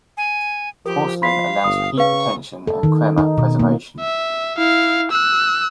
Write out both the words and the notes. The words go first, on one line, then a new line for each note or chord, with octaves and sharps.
Porcelain allows for heat retention and crema preservation.
G#5
F3 G4 A#4
F5 B5 C6 B6
G1 D#6
C#3 B4 F5 C#6
A4
D#3
D#4
B2
A#3
E5
E4 F5
E6 F#6